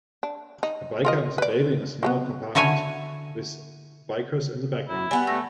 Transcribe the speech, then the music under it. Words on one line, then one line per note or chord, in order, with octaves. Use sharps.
A biker with a baby in a small compartment with bikers in the background.
D4
D#4
F4 A#4 D#5
B4 D5
F#3 A3 B3
D3 E4 F#4 C#5 G#5
E4
G3 B3 F#4 G#5
A3 E6 A#6